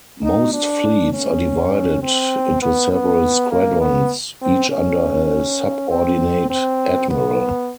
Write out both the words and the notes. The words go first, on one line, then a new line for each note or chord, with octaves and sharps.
Most fleets are divided into several squadrons, each under a subordinate admiral.
D#4
D4
C#4
C4
B3
B3
A#3
B3
C4
C#4
C4
C4
B3